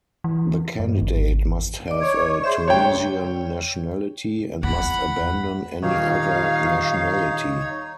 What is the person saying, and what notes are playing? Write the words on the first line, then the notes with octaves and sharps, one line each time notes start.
The candidate must have a Tunisian nationality, and must abandon any other nationality.
E3
G2
G#1
D5 D#5 D6
C#5
G#4 C5 E5
C#5 G5
E2 F#5 B5
D#1 D#4 C#5 F5